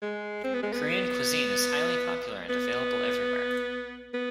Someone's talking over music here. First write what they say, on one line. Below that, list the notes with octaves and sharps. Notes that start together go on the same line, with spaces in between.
Korean cuisine is highly popular and available everywhere.
G#3
C4
B3
G#3
B3
B3
B3